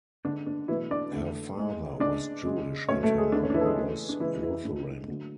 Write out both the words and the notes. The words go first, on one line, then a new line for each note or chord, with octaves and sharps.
Her father was Jewish and her mother was Lutheran.
D3 G#3 D4
D4
B2 E3 F#3 A3 E4
D4 D5
D3 A3
A2 G#3
C#3 G#3 D4 D5
C#3 G#3
B2 F#3 A3 C#4 C#5
A3 A4
G#3 G#4
D3 A3 D4
C#4
D4
E3 E4
A4
G#3 G#4
C#3 E3 A3
D4
C#3 E3 G#3 E4
E3 E4
A2 G#3 D4
D3 F#3 A3